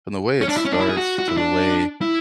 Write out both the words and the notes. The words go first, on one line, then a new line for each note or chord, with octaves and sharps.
from the way it starts to the way
C#4
D4
E4
C#4
D4
E4
G#4
F#4
F#4
E4
D4
E4